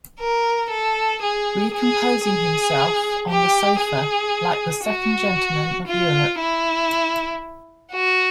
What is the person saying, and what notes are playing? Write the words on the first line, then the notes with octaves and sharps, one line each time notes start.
Recomposing himself on the sofa like the second gentleman of Europe.
A#4
A4
G#4
G#4
G#4
G4
G#4
F#4
F4
E4
F#4